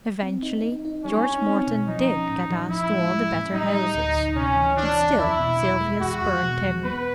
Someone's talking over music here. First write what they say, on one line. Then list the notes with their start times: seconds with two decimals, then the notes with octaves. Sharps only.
Eventually, George Morton did get asked to all the better houses, but still Sylvia spurned him.
0.23 C4
0.43 D#4
0.63 D#4
0.85 D#4
1.04 G3 C#4
1.26 D#4
1.46 C4
1.67 B2
1.87 F3 D#4
2.08 C#4
2.29 A2
2.50 F3
2.70 A2 E4
2.91 G#3
3.12 F3
3.32 A2
3.53 G3 D#4
3.74 G3
3.94 D2
4.15 D2
4.36 C3 C#4
4.57 E3
4.77 E3 D4
4.98 C3
5.19 E2 E4
5.39 B2
5.60 E2
5.80 G#3
6.01 E2 F#4
6.22 E2
6.43 B2
6.63 E2
6.84 B3 B4